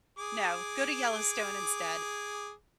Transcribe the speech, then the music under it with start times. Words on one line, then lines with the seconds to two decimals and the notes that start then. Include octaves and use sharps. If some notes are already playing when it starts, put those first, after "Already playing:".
No, go to Yellowstone instead.
0.18 G#4 D6